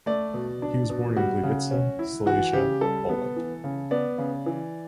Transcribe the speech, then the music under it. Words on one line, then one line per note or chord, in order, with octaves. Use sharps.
He was born in Gliwice, Silesia, Poland.
A3 D5
B2
D4
B2
G3 F#4
C#3
C#4
E4
E3 F#4
C#3 G4
G3 A4
B3
E3
C#3
B3 D5
C#3
E3